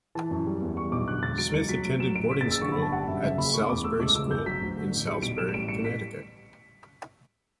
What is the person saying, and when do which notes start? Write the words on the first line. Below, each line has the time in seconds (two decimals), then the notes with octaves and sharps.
Smith attended boarding school at Salisbury School in Salisbury, Connecticut.
0.15 E3 A5
0.31 F#2
0.46 G3
0.61 E2
0.77 G3 C#6
0.92 B1 D6
1.08 D3 F#6
1.23 E1 A6
1.38 F#3 D7
1.54 C#2 C#7
1.69 F#3 B6
1.84 D2 D7
2.00 F#3 E7
2.15 A1 D7
2.31 C#3 B6
2.41 A6
2.46 F#1 E6
2.61 D3 C#6
2.72 B5
2.77 G1
2.82 A5
2.92 G3 F#5
3.08 F#2 E5
3.23 C#3 E5
3.38 F#1 B5
3.54 A3 C#6
3.69 E2 D6
3.84 A3 E6
4.00 C#2 D6
4.15 C#3 E6
4.31 G1 G6
4.46 F#3 B6
4.61 D2
4.77 D3
4.91 A1
5.07 G3 C#7
5.22 B1 D7
5.38 G3 E7
5.49 E7
5.54 A1 D7
5.69 G3 C#7
5.85 B6